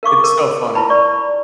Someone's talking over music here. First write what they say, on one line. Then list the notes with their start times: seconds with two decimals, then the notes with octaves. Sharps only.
It's so funny.
0.03 A#4 F5 C#6 D6
0.24 A#4
0.75 E4 F4 B4 A5 B5
0.90 D5 C#6